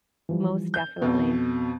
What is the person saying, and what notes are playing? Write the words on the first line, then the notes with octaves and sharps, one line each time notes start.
Most definitely.
E3 F3 G3
G6
F2 B2 B3